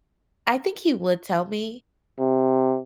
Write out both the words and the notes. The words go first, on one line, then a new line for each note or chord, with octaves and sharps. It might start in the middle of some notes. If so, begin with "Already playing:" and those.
I think he would tell me.
C3